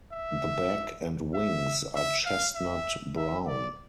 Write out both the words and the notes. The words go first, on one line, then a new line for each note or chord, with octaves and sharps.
The back and wings are chestnut brown.
E5
E5
E5
F5
E5
E5
D5